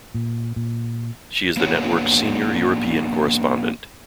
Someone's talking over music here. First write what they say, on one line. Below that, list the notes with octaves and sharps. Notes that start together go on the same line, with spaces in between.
She is the network's senior European correspondent.
A#2
A#2
A#3 B3 D4 F#4 C#5